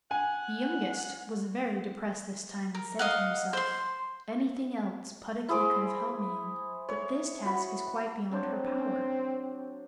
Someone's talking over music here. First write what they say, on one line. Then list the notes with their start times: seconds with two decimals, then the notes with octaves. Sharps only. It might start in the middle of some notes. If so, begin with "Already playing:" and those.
The youngest was very depressed this time and said to himself, 'Anything else Puddocky could have helped me in, but this task is quite beyond her power.
0.11 F#5 G#5
2.75 A#4
2.99 D#5 F5 F#5
3.53 C5 C6
5.48 E4 G#4 C5 D6
6.89 C#5
7.45 F#4 B5
8.31 F#3 C4 D4 C5